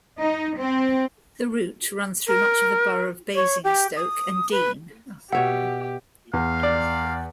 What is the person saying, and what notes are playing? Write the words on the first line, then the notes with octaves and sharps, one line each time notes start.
The route runs through much of the borough of Basingstoke and Deane.
D#4
C4
A#4
C#5
G4
D#6
B4
B2 G4 C#5 E5 F#5
E2 F5
D5